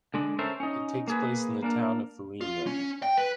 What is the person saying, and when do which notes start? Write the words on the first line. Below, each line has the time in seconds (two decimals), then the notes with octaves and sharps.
It takes place in the town of Foligno.
0.14 D3 G#3 D4
0.39 C#4 A4 A#4 C5 E5
0.60 C#4 D#4
1.07 A#3 G#4 B4
1.63 A#3 D4 A#4
2.41 F4
2.67 C#4
3.03 G5
3.17 B4